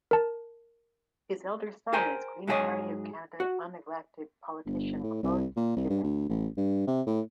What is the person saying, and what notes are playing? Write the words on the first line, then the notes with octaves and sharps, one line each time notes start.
His elder son is Green Party of Canada unelected politician Claude Genest.
A#4 A5
G#4 A#4 C5 G5 G#5 A#5
G#2 F#3 E4 G#4 C#5 D#5
F#4
G1
A2
C2
A#2
C2
G2
D2
A1
G2
C3
A2